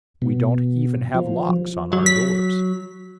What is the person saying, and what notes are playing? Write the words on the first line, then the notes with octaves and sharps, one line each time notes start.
We don't even have locks on our doors.
B2
F3
F#3
B6